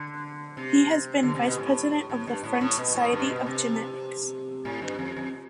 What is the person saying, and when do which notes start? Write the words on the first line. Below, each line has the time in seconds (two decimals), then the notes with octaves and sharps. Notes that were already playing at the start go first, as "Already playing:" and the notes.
He has been Vice President of the French Society of Genetics.
Already playing: D3
0.57 C3
1.23 D3
1.35 C3
1.47 B2
1.59 A2
2.10 A2
2.27 G2
2.44 A2
2.61 A2
2.78 B2
2.95 A2
3.12 G2
3.23 C3
3.29 B2
3.46 C3
4.65 A2
4.82 G2
4.99 F2
5.17 F2